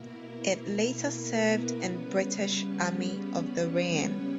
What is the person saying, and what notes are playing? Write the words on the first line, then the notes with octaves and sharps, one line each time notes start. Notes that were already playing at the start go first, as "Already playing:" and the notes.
It later served in British Army of the Rhine.
Already playing: B2 A#3 E4 A#4
B3 B4
C#3 G3 C#4
C#4 C#5